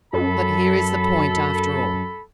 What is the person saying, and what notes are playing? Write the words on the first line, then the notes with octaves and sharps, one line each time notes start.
But here is the point, after all.
F#2 A4 B5